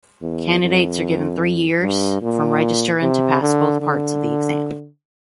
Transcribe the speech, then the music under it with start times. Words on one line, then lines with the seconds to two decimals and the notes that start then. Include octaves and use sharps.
Candidates are given three years from registering to pass both parts of the exam.
0.22 E2
0.61 F2
1.81 G2
2.22 A#2
3.02 C3
3.41 D3
3.80 D3